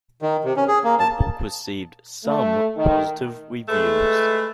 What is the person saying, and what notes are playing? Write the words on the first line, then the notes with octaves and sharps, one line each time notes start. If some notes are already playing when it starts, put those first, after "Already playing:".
The book received some positive reviews.
D#3
C3
C#4
G#4
A#3
A5
A3
D#3
G#3 A3 B4